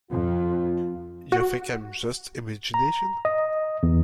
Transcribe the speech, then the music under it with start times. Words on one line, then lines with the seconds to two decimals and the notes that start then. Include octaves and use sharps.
You think I'm just imagination?
0.11 F2 F4
1.32 F#4
2.74 A#5
3.25 D#5
3.83 E2